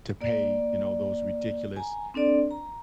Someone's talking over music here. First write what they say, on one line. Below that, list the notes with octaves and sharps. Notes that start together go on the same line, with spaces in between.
to pay, you know, those ridiculous,
A#3 D5
G#5 A#5
C4 D4 A4 D5
A#5